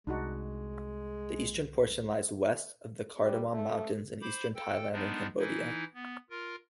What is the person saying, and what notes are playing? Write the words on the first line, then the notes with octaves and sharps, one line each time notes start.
The eastern portion lies west of the Cardamom Mountains in eastern Thailand and Cambodia.
C2 G#3 D4 D#4 F#4
G3
A3
C5 B5 D6
A4 G5
G3 G#3 B3 D4 D#4
E3 D#4 E4
B3
F4 A#4